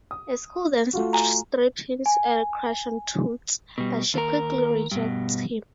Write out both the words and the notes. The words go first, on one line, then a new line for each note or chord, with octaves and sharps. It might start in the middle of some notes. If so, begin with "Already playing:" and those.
A school-dance strip hints at a crush on Toots, but she quickly rejects him.
D#6
A3 F4 F#4
G#5 A#5
G#5
B2 G3
D#2 A#4
G2 B2